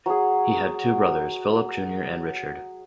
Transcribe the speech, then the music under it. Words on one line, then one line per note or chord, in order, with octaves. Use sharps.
He had two brothers, Philip Junior and Richard.
F#3 G#4